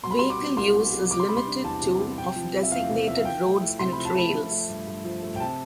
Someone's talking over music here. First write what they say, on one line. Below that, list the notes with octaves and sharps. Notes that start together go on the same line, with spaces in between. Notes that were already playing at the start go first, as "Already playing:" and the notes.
Vehicle use is limited to of designated roads and trails.
B2 C6
B5
G3 C6
D6
C4
C2 C6
B2
G3
C3 D6
C6
G3 B5
C6
D4
E2 A5
C3
G3
C3 G5
F3
C4
E5
E2 F5
C3
F3 E5
F5
F3 G5
A3
E4
C3 C6
F3 B5
A5
A3 B5
F3
A3
G2
G2
F3
A3
G5
C3 A5